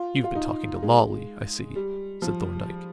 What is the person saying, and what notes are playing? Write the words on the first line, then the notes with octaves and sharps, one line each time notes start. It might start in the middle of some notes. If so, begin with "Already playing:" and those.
"You've been talking to Lawley, I see," said Thorndyke.
Already playing: F4
F4
D#4
G#3
G3
F3